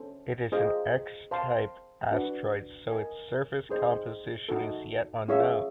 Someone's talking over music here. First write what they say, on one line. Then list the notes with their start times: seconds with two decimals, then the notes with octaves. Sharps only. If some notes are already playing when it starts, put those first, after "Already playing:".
It is an X-type asteroid, so its surface composition is yet unknown.
Already playing: C#4 A4 C5
0.52 F4 G#4 C5 D#5
1.31 C5 F5 A5 C6
2.11 D4 F#4 B4 D5
2.90 A#4 D#5 G#5
3.69 D#4 G#4 C5 D#5
4.49 D#4 F#4 A4
5.28 C#4 F4 G#4 C#5 E5